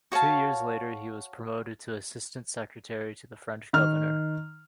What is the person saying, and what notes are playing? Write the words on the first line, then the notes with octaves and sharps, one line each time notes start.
Two years later he was promoted to assistant secretary to the French governor.
F#4 C#5 F5 A5
D#3 F6